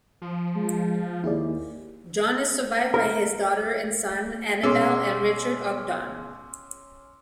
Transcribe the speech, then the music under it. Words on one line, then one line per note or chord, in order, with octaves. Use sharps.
John is survived by his daughter and son, Annabel and Richard Ogdon.
F3
G#3
D#2 E4 G#4 D5
A#4
B2 G#3 C#4 C6 D6 E6